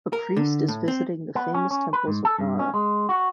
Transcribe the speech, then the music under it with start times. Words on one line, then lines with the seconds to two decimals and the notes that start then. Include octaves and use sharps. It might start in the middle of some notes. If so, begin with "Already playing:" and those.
A priest is visiting the famous temples of Nara.
0.13 A#4
0.37 D3
0.68 A2
0.88 C4
1.35 B3
1.54 C#4
1.71 C#4
1.93 B4
2.07 G#2
2.25 A4
2.39 G2
2.59 C#4
2.74 G#3
3.09 F#4